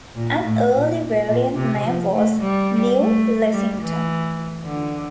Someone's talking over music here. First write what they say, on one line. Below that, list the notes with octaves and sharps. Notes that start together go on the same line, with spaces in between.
An early variant name was New Lexington.
A#2
A2
A#2
A#2
C3
F3
A3
G3
A3
G3
E3
D3